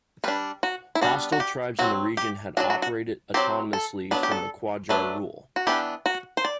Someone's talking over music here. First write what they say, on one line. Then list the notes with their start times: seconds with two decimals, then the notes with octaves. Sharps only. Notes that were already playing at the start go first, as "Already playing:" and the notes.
Hostile tribes in the region had operated autonomously from the Qajar rule.
0.24 G3 D4 B4
0.63 F#4
0.95 E4
1.01 G3 B3 D4 F#4
1.32 F#4
1.40 G4
1.79 F#3 C4 F#4
2.17 G4
2.57 F#3 A3 D4 F#4
2.70 F#4
2.82 F#4
3.34 F#3 C4 G4
3.73 A4
4.11 F#3 B3 D4 B4
4.23 G4
4.31 A4
4.89 F#3 A3 D4 B4
5.56 F#4
5.67 E3 B3 D4 G4
6.06 F#4
6.37 C5
6.45 D5